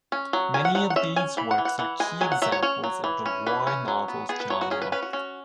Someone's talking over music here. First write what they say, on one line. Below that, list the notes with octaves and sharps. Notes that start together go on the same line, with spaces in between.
Many of these works are key examples of the war novel genre.
C#4
F#3
C#4 G#5
F#5
F#3 F#5
F#5
C#4 E5
C#4 G#5
E3 B5
F#5
E3
F#5
E3 F#5
G#3 G#5
F#3 G#5
F#5
F#3 E5
C#5
C#4 C#5
F#3
E3
C#4
E3 B4
C#4
F#3
B3
B3 G#4
B4
F#3 C#5
F#4
C#4 G#4
B4
C#4 B4
F#4
C#4